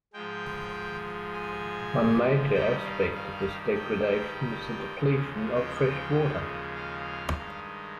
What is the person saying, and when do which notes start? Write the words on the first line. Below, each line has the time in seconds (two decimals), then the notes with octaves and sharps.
One major aspect of this degradation is the depletion of fresh water.
0.13 G#2 F3 G#3 G5
1.33 G#5
2.54 G2 D#3 G3 G5
2.85 F5
3.14 F5
3.74 G5
4.95 D#2 C#3 F3 G#3
5.55 G5
6.75 F5
7.35 G2 D#3 G#3